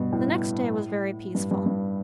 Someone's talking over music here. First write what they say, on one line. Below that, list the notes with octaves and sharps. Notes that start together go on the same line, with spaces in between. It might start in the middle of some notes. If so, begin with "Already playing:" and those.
The next day was very peaceful.
Already playing: G2 B2
A2
G2
G2
G2